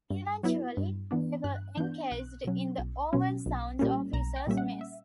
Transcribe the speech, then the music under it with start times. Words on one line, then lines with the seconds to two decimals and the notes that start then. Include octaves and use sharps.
Eventually, they were encased in the Owen Sound Officers' Mess.
0.10 G2
0.43 F#3 B3 E4
0.77 G2
1.11 E3 B3 D4
1.44 G2 F#6
1.77 E3 B3 D4 G6
2.11 B1 F#6
2.45 B2 F#3 C#4
2.78 B1
3.13 B2 F#3 C#4
3.46 B1
3.79 A#2 G3 A#3 C#4
4.13 B1 A#5
4.36 G5
4.47 A#2 G3 A#3 C#4 E5
4.57 F#5
4.81 E5